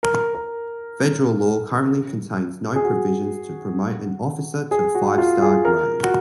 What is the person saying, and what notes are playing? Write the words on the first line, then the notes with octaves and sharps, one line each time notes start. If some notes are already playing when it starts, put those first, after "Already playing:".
Federal law currently contains no provisions to promote an officer to five-star grade.
A#4
A#4
G#4
F#4
G#4
F#4
F4
G#4
A#4
F#4